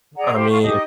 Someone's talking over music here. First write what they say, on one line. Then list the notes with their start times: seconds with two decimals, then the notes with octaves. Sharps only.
I mean,
0.17 G#4 D5 F#5 A#5
0.34 G4 C5 F5
0.50 F4 C#6
0.63 D#4 G4 D#5 D#6